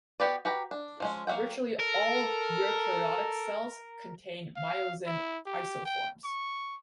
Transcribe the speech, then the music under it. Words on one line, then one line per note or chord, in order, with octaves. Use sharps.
Virtually all eukaryotic cells contain myosin isoforms.
B3 F#4 G4 B4 D5
F#4 G4 B4 A#5
D4
F3 G#3 C#4
F#3 A#3 E5 F#5 G5
A4 A#4
F5
E4
G4
G5
C#6